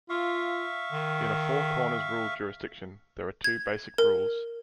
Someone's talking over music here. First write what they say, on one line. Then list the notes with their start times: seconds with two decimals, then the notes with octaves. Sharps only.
In a Four Corners Rule jurisdiction, there are two basic rules.
0.10 F4 E5 F5 C#6
0.92 D#3
3.44 G#6
3.98 A#4